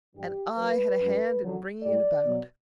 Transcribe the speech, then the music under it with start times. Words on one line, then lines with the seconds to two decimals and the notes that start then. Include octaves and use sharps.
And I had a hand in bringing it about.
0.15 G2 E3 G3 G4
0.57 F#2 F#3 B4
0.99 F#2 F#3
1.40 F#2 D3 F#3
1.82 A2 G3 D5
2.24 B2 F#3